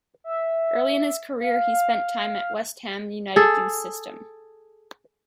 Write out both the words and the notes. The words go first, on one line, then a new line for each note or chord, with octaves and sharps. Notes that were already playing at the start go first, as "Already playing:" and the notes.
Early in his career he spent time at West Ham United's youth system.
E5
F5
F5
G#4 A4